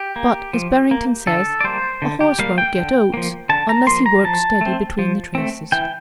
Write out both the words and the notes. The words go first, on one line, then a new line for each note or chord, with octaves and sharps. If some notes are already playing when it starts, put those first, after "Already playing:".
But, as Barrington says, a horse won't get oats unless he works steady between the traces.
Already playing: G4
A#3
F3
A#3
D3 A4
D5
G3 A#3 C5
D3
G4
G3 A#3 F5
G5
D3
F3 A#3
D3 A5
A#5
F3 A#3 C6
A#5
F3 A5
A3 C4
F3
A3 C4
E3 G5